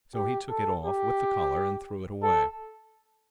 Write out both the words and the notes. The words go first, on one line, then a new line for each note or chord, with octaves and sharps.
So he took it off with the collar and threw it away.
G4
A4
G4
A4